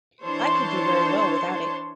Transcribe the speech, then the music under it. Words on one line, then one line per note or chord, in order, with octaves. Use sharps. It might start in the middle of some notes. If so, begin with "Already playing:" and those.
I could do very well without it.
E3 D4 C5 C#5 A5 C6